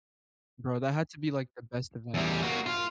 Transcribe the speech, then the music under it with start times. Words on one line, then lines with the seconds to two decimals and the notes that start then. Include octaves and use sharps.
Bro, that had to be, like, the best event.
2.14 E2 G3
2.43 A#3 F#4
2.66 F4